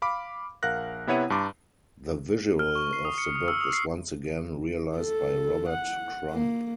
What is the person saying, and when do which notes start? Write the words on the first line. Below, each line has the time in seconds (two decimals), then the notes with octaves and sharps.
The visual of the book is once again realized by Robert Crumb.
0.02 F5 B5 D6
0.63 A#1 A#4 F5 F#5 F#6 A#6
1.07 C3 B3 E4 C#5 F#5 D#7
1.30 G2 A5 A#5 C6 D6
2.59 F6
2.75 C#6
2.93 C7
3.05 D#6
3.18 C#7
3.35 D#6
3.48 E6
3.61 D#6
3.73 C7
4.98 A4
5.69 F#5
6.31 A#3